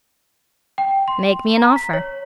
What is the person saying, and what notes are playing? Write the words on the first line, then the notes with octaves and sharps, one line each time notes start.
"Make me an offer."
G5
C6
A#5
B6
C#5